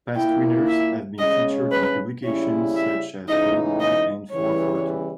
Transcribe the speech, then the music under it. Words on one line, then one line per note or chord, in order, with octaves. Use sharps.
Past winners have been featured in publications such as Playboy and Four Four Two.
A#2 A#3 E4 G5
E5
C#3 G#3 C#4 D#5
B4
C#3 G3 C#4 E4 C#5
E5
C#3 E3 G#3 D#4 D#5
D#5
E2 C#3 E3 G3 C#5